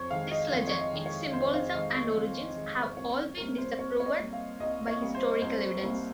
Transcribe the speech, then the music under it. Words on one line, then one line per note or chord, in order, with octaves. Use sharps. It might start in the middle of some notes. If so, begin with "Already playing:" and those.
This legend, it's symbolism and origins, have all been disproven by historical evidence.
Already playing: F2 C5 C#5
D#3 G#3 F5
D#5
F2 F5
C#5
D#5
D#3 G#3
C#5
F2 C5
F5
D#3 G#3 D#5
C#5
F2
D#3 G#3
C2 C#5
C3 G3 A#3 A#4
C5
C2 C#5
C#5
D#5
C3 G3 A#3
F5
C2 D#5
C#5
C3 G3 A#3
C5
C2 C5
C3 G3 A#3